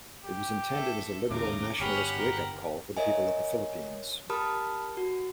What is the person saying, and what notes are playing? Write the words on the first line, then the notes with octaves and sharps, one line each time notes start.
It was intended as a liberal-nationalist wake-up call for the people of the Philippines.
G4
A4 E5
D#2 A2 C#3 D#4 A#4 D6
G1 C#4 G4 F#5 B5
A#4
A#4 C#5 D#5 E5 G#5
G4 A#4 A5 B5 D#6 F6
F#4